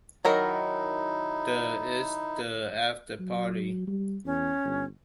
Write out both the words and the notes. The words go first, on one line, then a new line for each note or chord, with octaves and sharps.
The is the afterparty.
D#3 F#3 D#4 E4 A#4
F#3
G3
E2 C#4
G1